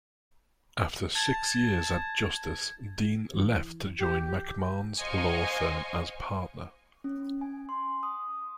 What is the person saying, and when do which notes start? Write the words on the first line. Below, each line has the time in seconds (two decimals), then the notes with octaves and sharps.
After six years at Justice, Dean left to join McMahon's law firm as partner.
1.15 A5 G#6
3.34 E3
3.99 G4
4.99 C5 D#5 F5 G#5 C#6
7.04 C#4
7.41 G#5
7.69 C6
8.03 D#6